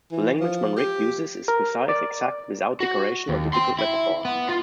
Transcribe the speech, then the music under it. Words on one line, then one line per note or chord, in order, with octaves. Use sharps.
The language Manrique uses is precise, exact, without decoration or difficult metaphors.
E3
F3
G4
A#4
D5
F#4
D#2
G5 C6
E4
B3
F4